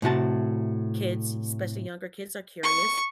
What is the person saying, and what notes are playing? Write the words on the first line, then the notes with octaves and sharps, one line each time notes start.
kids, especially younger kids, are curious.
A2 C3 F#4 A5
C#6